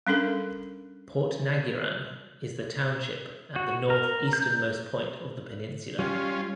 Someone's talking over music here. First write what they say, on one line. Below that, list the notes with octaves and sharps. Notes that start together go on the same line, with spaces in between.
Portnaguran is the township at the north-easternmost point of the peninsula.
G3 C#4 D4 A4 A#4
F#4
A#4
G6
G3 C#4 F4